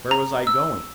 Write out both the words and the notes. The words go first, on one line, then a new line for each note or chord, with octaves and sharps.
Where was I going?
A#5
E6